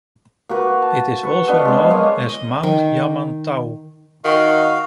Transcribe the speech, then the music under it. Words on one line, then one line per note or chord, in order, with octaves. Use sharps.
It is also known as Mount Yamantaw.
A#3 F#4 B4
A5
B4 F#5 C#6
B3 D4 D#5 F5
G#3 G#4
G#3 A#3 C#5 D#5
D#5
D#3
D#3 F#4 F5